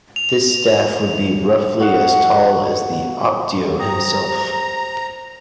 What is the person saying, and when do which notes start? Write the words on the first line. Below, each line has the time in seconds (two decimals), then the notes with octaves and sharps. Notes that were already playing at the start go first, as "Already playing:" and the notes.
This staff would be roughly as tall as the "optio" himself.
0.16 F7
1.80 F#4 D#5 F5 F#5
3.80 G4 G5 A#5 D#6
3.93 C5